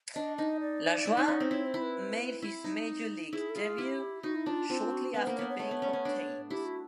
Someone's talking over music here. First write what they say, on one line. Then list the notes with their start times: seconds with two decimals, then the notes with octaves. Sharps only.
Lajoie made his major league debut shortly after being obtained.
0.14 D4 D#5
0.37 D#4 D#5
0.60 D5
1.05 E4
1.17 D#4
1.28 C#4
1.40 C4
1.51 E4 C#5
1.66 C5
1.74 E4
1.82 B4
2.42 E4
2.64 D#4
3.33 E4 G#4
3.49 A4
3.55 F4 G#4
3.78 E4 G4
4.23 D#4 F#4
4.35 E4
4.46 D4 F4
4.69 C4 F4
4.81 F4
4.92 F#4
5.14 B3 B4
5.26 A#3 C5
5.37 B3 C#5
5.49 C#5
5.59 A3 C#5
5.71 B3
5.82 C#4
5.93 C#4
6.05 D4
6.50 E4 G4
6.65 F#4